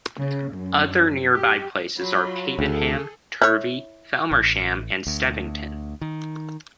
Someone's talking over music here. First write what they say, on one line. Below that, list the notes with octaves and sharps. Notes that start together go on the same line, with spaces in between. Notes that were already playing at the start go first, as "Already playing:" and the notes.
Other nearby places are Pavenham, Turvey, Felmersham, and Stevington.
C#3
F#2
G4
F#3 F4 B5
D2 G#4 A4
E4 C#5
A1
D2
D#3